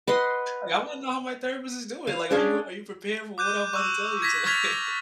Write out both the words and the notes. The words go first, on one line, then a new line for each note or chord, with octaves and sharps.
Like, I wanna know how my therapist is doing. Like, "Are you are you prepared for what I'm about to tell you today?"
B4 D#5 F#5 C6
F5
C#4 D4 G#4
D6 F#6 G6 D#7
C#6 D6 E6
G#6 A#6 B6
C#6 F6 G#6 A6 B6 F7